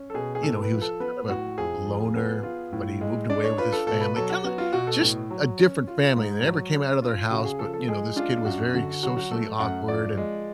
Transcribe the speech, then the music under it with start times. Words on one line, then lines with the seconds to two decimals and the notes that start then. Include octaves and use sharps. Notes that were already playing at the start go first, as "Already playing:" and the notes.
you know, he was kind of a loner, but he moved away with his family. Kinda just a different family, they never came out of their house, but, you know, this kid was very socially awkward, and
Already playing: C#4
0.10 A4
0.14 B2 G#4
0.35 G#4
0.43 A2 A4
0.62 B4
0.72 F3
0.81 A4
1.00 B3 B4
1.29 A2 F#4
1.58 F2 G#4
1.86 F3
2.16 B3
2.43 F4
2.72 A2
3.01 G#3
3.30 D4 D5
3.44 C#5
3.58 F4 B4
3.73 A4
3.87 B2 A4
4.01 B4
4.16 F#3 A4
4.30 F#4
4.44 B3 F#4
4.58 F4
4.73 B2 F#4
4.87 A4
5.01 A2
5.31 F#3
5.59 C#4
5.87 F4
6.16 G#2
6.44 F#3
6.74 C#4
7.02 F4
7.31 C#3 F#4
7.45 G#4
7.59 F3 A4
7.73 A4
7.88 G#3 G#4
8.16 D4 F4
8.45 F#2 F#4
8.74 D3 F#4
9.03 F#3 F#4
9.17 F#4
9.31 A3 A4
9.59 F#2 F#5
9.88 F3 D5
10.17 G#3